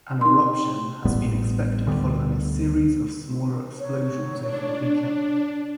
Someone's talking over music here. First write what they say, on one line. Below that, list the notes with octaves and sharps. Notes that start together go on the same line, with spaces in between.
An eruption had been expected following a series of smaller explosions over the weekend.
C4 D#4 C6
A1 A2 G3 B3
D2 D3 G3 B3
C#5
D4